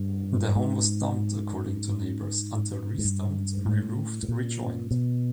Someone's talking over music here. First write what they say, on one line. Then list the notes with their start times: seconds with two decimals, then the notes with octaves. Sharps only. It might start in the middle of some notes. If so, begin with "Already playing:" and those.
The home was "dumped" according to neighbours, until restumped, re roofed, rejoined.
Already playing: G2
0.56 G#2
2.98 G#2
3.04 G2
3.57 G#2
3.67 A2
4.23 A2
4.28 A#2
4.91 B2